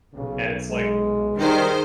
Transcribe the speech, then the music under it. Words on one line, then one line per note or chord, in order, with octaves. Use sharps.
And it's like,
B1 C#3
G#3
D#3 G3 G#4 C5 D#5